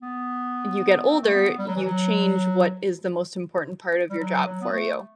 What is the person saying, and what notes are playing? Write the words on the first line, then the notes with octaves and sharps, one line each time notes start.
you get older, you change what is the most important part of your job for you.
B3
C4
A3
B3
G3
F#3
E3
F#3
G3
F#3
F#3
B3
A3